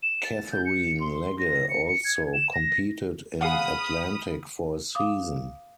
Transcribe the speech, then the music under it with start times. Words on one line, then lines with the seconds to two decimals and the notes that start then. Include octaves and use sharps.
Katherine Legge also competed in Atlantic for a season.
0.03 E7
0.24 A6
0.52 G6
0.66 C#7
1.00 C6
1.39 A#6
1.69 C#7
1.88 C#7
2.05 G#6
2.34 E7
2.54 A#6
3.41 G#4 F5 F#5 B5 D#6 F6
4.95 F5 D6 D#6